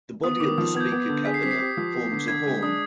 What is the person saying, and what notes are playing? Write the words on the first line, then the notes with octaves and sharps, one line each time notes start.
The body of the speaker cabinet forms a horn.
B3 D#6
D#3 D6
F3 D#6
B3 G#6
G6
B3 G#6
D3
G#4 B6
C7
C4 B6
C7
G4
F3
B3
D3
D3 G#6
G#3
D4 D#6